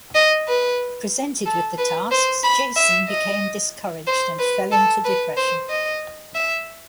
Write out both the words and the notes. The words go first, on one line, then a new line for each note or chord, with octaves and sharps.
Presented with the tasks, Jason became discouraged and fell into depression.
D#5
B4
A4
B4
C5
B5
E5
D#5
C5
B4
A4
B4
C5
D#5
E5